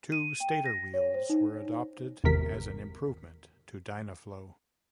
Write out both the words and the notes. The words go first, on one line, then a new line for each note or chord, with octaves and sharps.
Two stator wheels were adopted as an improvement to Dynaflow.
D#7
G5
A#6
C#5
C5
D#4
G#1 E2 C3 A#4 B6